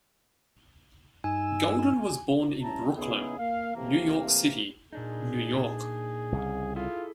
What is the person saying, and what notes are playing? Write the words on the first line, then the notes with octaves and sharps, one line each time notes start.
Golden was born in Brooklyn, New York City, New York.
G2 D#4 G#5 E6
G2 C#4 E4 A5 A#5
C#3 B3 D#4 E4 G#4
A#3 F5
C3 E3 A3 A#3
A#2 D4 D#4 G#4
C2 C#3
E4 F4 G#4 A4